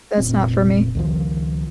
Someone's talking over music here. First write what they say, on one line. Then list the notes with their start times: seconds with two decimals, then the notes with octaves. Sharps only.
That's not for me.
0.18 F1 A#2 C4
0.95 C#2 D#3 F3